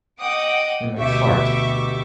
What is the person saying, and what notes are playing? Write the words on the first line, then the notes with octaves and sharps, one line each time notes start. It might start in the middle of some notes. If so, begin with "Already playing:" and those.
In the cart.
D#5 F#5 G5 D6 D#6
D2 B2 G4 E5 C#6 D6